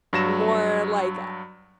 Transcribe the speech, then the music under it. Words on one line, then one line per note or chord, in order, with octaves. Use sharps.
more like a
G2 F#3 A#6 E7